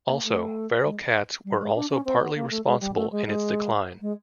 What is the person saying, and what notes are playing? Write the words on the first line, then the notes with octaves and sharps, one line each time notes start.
Also, feral cats were also partly responsible in its decline.
A#3
A3
G#3
G3
G#3
D4
C#4
C4
B3
A#3
A3
G#3
G3
A3
G#3
G#3
G#3